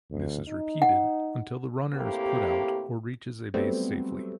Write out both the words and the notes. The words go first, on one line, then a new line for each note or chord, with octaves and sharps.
This is repeated until the runner is put out or reaches a base safely.
D2
D#4
F#5
A2 C3 A#3 G4
F#3 G3 A3 B3 C4